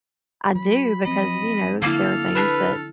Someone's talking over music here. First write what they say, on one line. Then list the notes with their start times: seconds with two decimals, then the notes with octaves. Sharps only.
I do because, you know, there are things that
0.55 F#3 B5
1.05 F3 C4 D#5 B5
1.82 D3 A#3 E4 A4 F6
2.35 D4 B4